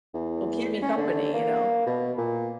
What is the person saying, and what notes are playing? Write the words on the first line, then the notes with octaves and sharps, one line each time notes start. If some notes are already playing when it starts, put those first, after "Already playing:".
it'll keep me company," you know?
E2
C#4
D3
A#3
B2
A#2